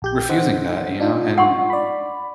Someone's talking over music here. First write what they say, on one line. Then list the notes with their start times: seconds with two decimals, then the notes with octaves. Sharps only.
refusing that, you know, and
0.02 A#1 G4 G6
0.29 D#4 C5 F#5
1.00 D4 D#4 F4
1.38 F#5 C6 C#6
1.70 D5 B5